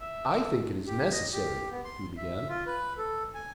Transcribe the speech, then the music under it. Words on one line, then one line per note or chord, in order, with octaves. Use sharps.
"I think it is necessary," he began.
E5
G4
D#5
G4
B3
C6
E5
F4
B4
A4
G#5